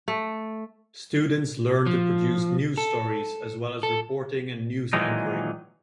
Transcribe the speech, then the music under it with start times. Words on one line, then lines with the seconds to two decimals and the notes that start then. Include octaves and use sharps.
Students learn to produce news stories as well as reporting and news anchoring.
0.08 A3
1.86 F3
2.78 A4
3.83 A4
4.93 A#2 D#3 E3 F#3 G#3 D#4